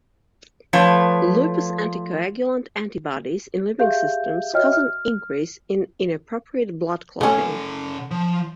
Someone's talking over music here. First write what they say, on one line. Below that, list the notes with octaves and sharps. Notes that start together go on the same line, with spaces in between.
Lupus anticoagulant antibodies in living systems cause an increase in inappropriate blood clotting.
F3 A3 B4 C#5
G4 G#4 E5 F5 G6
F#4 C#5 D#5 E5 G5 F6
F6
C#3 A3 C#4 F#5
F3